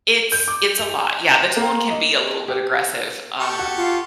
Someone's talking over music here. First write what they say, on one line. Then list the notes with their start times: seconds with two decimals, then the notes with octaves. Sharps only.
It's it's a lot, yeah, the tone can be a little bit aggressive, um,
0.32 G6
0.48 D6
0.78 F7
1.57 A#3
1.90 D#5
2.48 G4
3.40 G4 A4 C#6
3.59 F#4
3.77 F4